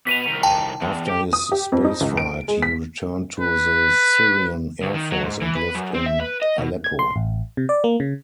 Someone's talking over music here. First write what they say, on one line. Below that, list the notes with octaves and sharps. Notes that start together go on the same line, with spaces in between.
After his spaceflight, he returned to the Syrian Air Force and lived in Aleppo.
B2 B4 B6 D#7 F7
C2 D#3
G5 A5
E2
G4
D#6
G4
F2
D#4
C#2
D7
G#3
B6
B4
D2
D#3
F#3
G#2
E3
B4
F#2
C4
E5
B4
D#5
B2
G#6
C6
A1
C3
D5
A#3
C#3